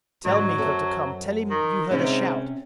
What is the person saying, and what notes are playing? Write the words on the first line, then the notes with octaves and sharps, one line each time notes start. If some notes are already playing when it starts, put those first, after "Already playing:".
Tell Miko to come--tell him you heard a shout.
G#2 D3 F#3
F#2 A4 C5
D#3
G#2 C3 C#4 E5